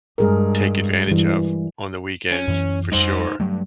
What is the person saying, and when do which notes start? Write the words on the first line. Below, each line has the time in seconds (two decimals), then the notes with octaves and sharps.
take advantage of on the weekends for sure.
0.18 G2 G#3 G#4 A#4
1.08 E3 G3
2.31 C#4
2.48 F#2 E3
2.92 F2 G3 D#4 C5
3.40 G2 F#3 A3